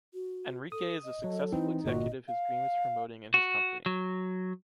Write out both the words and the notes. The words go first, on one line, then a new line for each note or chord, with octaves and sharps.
Enrique is a successful executive whose dream is promoting in his company.
F#4
A4 D#6
D#5
F#3 A4
E3 C4 D#4 E4
G1 A#2 F#4 D#5
F5
F#4
F#3